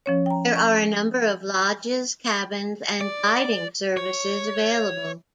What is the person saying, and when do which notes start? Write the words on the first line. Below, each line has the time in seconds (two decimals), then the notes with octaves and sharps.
There are a number of lodges, cabins, and guiding services available.
0.06 F3 C#4 C#5
0.26 G5 A#5
0.56 C#6
3.01 D5
3.97 C#5